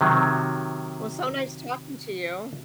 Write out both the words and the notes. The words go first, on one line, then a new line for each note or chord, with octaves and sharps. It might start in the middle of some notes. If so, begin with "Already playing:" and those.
Well, so nice talking to you.
C3 D#3 F#3